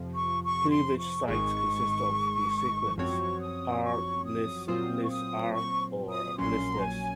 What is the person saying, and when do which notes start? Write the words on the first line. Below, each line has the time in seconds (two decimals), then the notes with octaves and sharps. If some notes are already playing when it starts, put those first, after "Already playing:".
Cleavage sites consist of the sequences Arg-Lys, Lys-Arg, or Lys-Lys.
Already playing: F2 C3 F3
0.14 C#6
0.43 C#6
0.70 C6
0.99 C#6
1.27 G#1 G#2 D#3 G#3 C#6
2.98 F#2 F3 C4 F#4 C#5 C#6
3.41 D#6
3.83 C#6
4.25 D#6
4.68 A#2 F#3 C4 F4 C5 D#6
5.04 C#6
5.11 D#6
5.53 C#6
6.10 D#6
6.38 A#1 A#2 F#3 C#4 C6
6.71 A#5
6.80 G#5